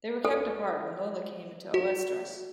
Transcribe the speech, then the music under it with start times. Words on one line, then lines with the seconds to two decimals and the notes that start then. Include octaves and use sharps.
They were kept apart when Lola came into oestrus.
0.25 A4
1.74 F#4